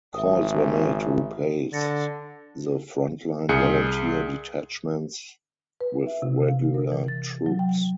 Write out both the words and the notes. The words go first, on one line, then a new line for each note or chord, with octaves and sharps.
Calls were made to replace the frontline volunteer detachments with regular troops.
G#1 E5 D#6
D3 A6 A#6 C#7
C2 G#4 C#7
B4
E5
C3
F5
A#4
E3
A6
F#3
G5